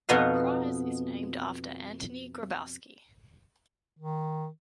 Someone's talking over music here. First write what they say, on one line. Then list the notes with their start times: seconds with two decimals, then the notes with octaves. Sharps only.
The prize is named after Antoni Grabowski.
0.09 F2 B2 B3 D#4 D#5 F5
3.98 D#3